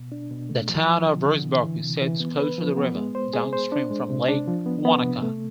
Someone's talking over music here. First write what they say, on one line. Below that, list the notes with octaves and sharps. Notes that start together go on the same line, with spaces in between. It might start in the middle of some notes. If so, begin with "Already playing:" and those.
The town of Roxburgh sits close to the river, downstream from Lake Wanaka.
Already playing: B2
D4
B2
A3
F3
F3
D3
D3
E3
E3
C3
E3
B3
B4
F3
B3
G#3
C5
G#4
C5
D4
G#3
C3
D4
F3
B3
B3
C3
A3